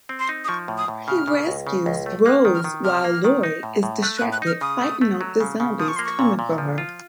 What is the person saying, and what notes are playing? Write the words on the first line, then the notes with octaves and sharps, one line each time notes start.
He rescues Rolls while Loi is distracted fighting off the zombies coming for her.
C4
C6
D#4
D#6
F3 C#6
A2
D#6
A2
C#3 F6
C#3
C#2
C#3
C#2
A3
A#3 F#6
D#3
F6
D#3
C3 F6
A#3
D#3
D#4
A2
A2
A3 F#6
F#6
A2
F#6
D#4 F6
C#3 D#6
A3
A3
F#3
C#3
C#3
F3 D#6
C#6
A#3 C6
C#6
A#2
A#2
F3
F4